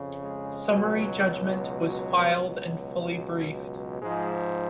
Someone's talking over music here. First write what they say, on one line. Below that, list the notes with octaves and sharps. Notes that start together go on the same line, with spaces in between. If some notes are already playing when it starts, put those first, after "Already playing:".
Summary judgment was filed and fully briefed.
Already playing: F2 C#3
G#3
C#2 B2 F#3
F#3
C#2 B2 F#3
G#2 F3 G#3